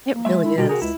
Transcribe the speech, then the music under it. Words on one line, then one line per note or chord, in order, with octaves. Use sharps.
It really is.
A#3
G#3 E5
E4
B2 G3 F4 G4
C3 F#4 G#4 A#4
C#2 E4